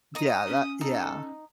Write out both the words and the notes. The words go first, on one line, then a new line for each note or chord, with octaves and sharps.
D yeah, that yeah.
D#4 D#5 D#6
C#4
D#4 A4